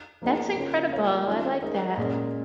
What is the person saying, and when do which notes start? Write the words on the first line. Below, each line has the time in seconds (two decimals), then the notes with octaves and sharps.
That's incredible, I like that.
0.22 F3 A#3 D#4 G#4
0.56 C#3 A#3 F4 C#5
0.92 A#3 F4 C#5 F5
1.27 D#3 C#4 F4
1.62 G#3 D#4 A#4 D#5
1.97 A#2 G#3 C#4